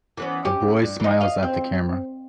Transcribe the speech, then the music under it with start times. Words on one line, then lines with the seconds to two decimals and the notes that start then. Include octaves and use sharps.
A boy smiles at the camera.
0.17 E3 B3 C#4
0.45 C#4 G4
0.82 G2
1.00 E3 D#4
1.21 D#5 F5
1.43 C4